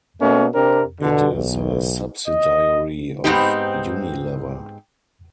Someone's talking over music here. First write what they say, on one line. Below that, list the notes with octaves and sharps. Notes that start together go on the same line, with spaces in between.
It is a subsidiary of Unilever.
B2 A3 A#3 C#4
C3 C4 D4 A#4
B2 D3
B1
D#5
G#2 B2 B3 C4 D#4 G4